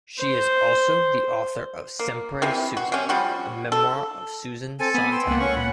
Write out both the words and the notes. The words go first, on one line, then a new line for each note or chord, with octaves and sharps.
She is also the author of Sempre Susan: A Memoir of Susan Sontag.
C5
A#3
C3 E3 F3
F#4
C3 C#4
F3 G3 F#4
A4
C4 A4 G#5
B3 G#5 B5
G5 C6 E6
C#2 A#3 F#5
C#4 C#6
A#2 B5